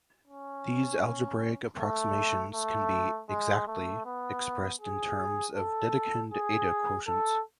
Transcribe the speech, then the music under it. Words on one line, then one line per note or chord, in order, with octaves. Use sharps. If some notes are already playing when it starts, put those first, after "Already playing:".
These algebraic approximations can be "exactly" expressed in terms of Dedekind eta quotients.
C#4
A3
A3
G#3
A3
B3
G#4
A4
G#4
A4